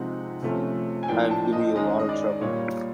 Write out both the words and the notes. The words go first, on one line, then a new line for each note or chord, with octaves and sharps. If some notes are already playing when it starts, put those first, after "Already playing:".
I've given you a lot of trouble.
Already playing: C3 F3 G#3 C4 D#4 F#5
C3 F3 A3 C#4
G#5
A2 F3 A#3 D4 G5
A5
D#5
D#3 G#3 C#4 D#5
D#5
D5
A#2 G3 A#3 C#5